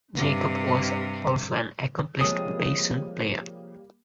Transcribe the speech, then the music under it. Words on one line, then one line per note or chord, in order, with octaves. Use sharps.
Jacob was also an accomplished bassoon player.
G2 C3
C3 F3 G3 G#3 A#3 C#5 D#6